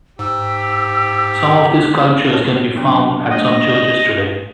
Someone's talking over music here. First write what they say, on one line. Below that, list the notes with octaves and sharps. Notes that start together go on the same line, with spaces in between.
Some of these sculptures can be found at some churches today.
G#2 G4 E6
A#4 C#5 A5
F#3 B3 D4
A3 D4 D#5
B4 D5